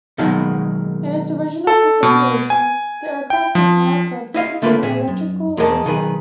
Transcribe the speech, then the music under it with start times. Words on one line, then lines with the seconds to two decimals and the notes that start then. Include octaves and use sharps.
In its original configuration, the aircraft was not equipped with an electrical system.
0.18 B2 D#3 F#3 G#3 A#3
1.67 A4
2.03 B2
2.50 G#5
3.30 G5
3.55 F3
4.34 E4 D#5 F5
4.62 D3 A3 A#3 F4 B4
4.83 A#2 G#4 E5
5.08 F#2
5.57 E2 G#4 A#4 D#5 A5
5.85 B1 D#3 G#4 B4